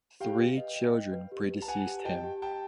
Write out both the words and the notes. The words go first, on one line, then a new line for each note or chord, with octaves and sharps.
Three children predeceased him.
G4 F5 G5
B4
D#5
D#5
D#5
B4
G4
B4
A5
B4 F#5 G#5
G4
D#5 G5 A5
G4
G4 G5 A5